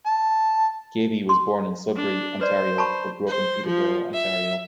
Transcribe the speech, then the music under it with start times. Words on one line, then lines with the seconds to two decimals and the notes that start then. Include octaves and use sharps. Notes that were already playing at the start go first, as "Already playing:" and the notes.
Gavey was born in Sudbury, Ontario, but grew up in Peterborough, Ontario.
0.07 A5
1.29 C6
1.96 D4
2.41 B4 C5 D5
2.78 A5 B5 C#6
3.27 C5
3.66 F3
4.12 E5